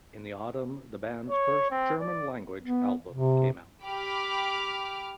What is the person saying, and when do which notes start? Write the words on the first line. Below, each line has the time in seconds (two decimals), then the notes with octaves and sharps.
In the autumn the band's first German-language album came out.
1.30 C#5
1.71 C4
2.00 D5
2.63 B3
3.12 C3
3.83 G4 B5 D6 F6